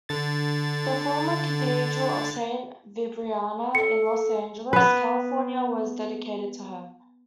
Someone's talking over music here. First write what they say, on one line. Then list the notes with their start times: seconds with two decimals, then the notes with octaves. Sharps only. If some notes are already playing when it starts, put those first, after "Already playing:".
The former Cathedral of Saint Vibiana in Los Angeles, California was dedicated to her.
0.09 D3 A6
3.75 A4 C#7
4.73 B3 B4